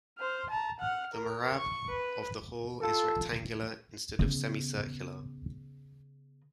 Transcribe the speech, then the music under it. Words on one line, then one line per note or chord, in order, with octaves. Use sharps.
The mehrab of the hall is rectangular instead of semi-circular.
C5 F6
A5 A#5
F#5 F6
A#4
C#6
B4
F4 A4
C#3 B3